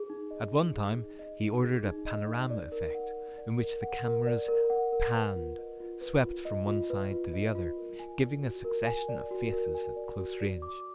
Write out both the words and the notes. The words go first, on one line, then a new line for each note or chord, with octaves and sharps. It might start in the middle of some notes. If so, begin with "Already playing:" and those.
At one time he ordered a panorama effect, in which the cameras "pammed," swept from one side to the other, giving a succession of faces at close range.
Already playing: G#4
D#4
D#5
D#4
G#4
D#4
D#5
D#4
G#4
D#4
D#5
D#4
D5
A#4
F#5
A#4
D5
A#4
F#5
A#4
D5
A#4
F#5
A#4
B4
F4
D#5
F4
B4
F4
D#5
F4
B4
F4
D#5
F4
A#4
G#5
D5
F#4
A#4
G#5
D5
F#4
A#4
G#5
D5
F#4
D5
D6